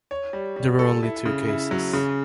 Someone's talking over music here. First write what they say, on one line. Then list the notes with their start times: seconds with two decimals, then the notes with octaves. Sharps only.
There were only two cases.
0.11 C#5
0.33 G3
0.56 G3
0.79 A4
1.03 E4
1.26 C#3
1.48 E4
1.71 F#3
1.93 C#3